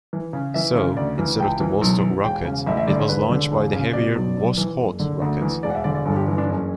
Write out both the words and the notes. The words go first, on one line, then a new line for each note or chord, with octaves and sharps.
So, instead of the Vostok rocket, it was launched by the heavier Voskhod rocket.
E3
C#3
E3 E5
C#3
D2 D5
E3
C#2 G5
E3
B1
E3
E1 G5
C#3
A1 E5
E5
D3 D5
C#5
E1 B4
D3
E1
C#3
B2 D5
B1
B1
E3
F#1
D3
D2
E3
E1 D5
F#5
E5
D3 D5
D5
G1 A4
G4
E3
D4
F#1 C#4